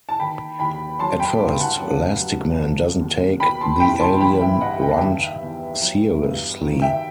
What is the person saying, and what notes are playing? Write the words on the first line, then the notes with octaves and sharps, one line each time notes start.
At first, Lastikman doesn't take the alien runt seriously.
A5
D#3 G5 B5
D#2 G5 B5
F#3 A5 C6
G5 B5
G2
F#5 A5
F#3
F#2
D#3
D#2
B2 G5 B5
A5 C6
C2 G5 B5
A5 C6
E3 G5 B5
E5 G5
G2 D#5 F#5
G5
A5
D#3 E5 G5
E2
F#3
G2
D#3
E5 G5